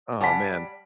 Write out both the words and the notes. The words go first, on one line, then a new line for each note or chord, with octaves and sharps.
Aw, man.
G3 F#5 G#5 A5 B6